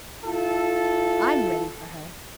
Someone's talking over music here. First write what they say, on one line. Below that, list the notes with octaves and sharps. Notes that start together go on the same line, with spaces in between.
'I'm ready for her.
E4 F4 A4